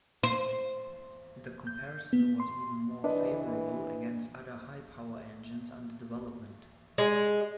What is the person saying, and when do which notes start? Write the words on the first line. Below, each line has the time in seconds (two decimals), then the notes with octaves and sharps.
The comparison was even more favourable against other high-power engines under development.
0.23 C5
1.67 G6
2.13 B3
2.40 C6
3.04 E3 D4 B4 D#5
6.98 G#3